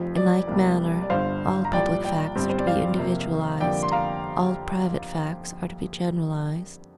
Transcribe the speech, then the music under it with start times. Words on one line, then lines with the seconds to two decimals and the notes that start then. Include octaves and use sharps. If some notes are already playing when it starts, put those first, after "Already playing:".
In like manner all public facts are to be individualized, all private facts are to be generalized.
Already playing: F1 F2 F3
0.17 D5
0.47 C2 C3 G3 A#3
1.02 D5
1.10 G1 G2 D3 C5 F5
1.65 A#5
1.73 C2 A#2 F3 D5 G5
2.04 D5 G5
2.35 G1 G2 G3 C4
2.50 C5
2.59 D5
2.67 C5 F5
2.98 F2 C3 A#3
3.60 F2 D3 G3 A#3 D5 G5
3.83 C6
3.91 F5 A#5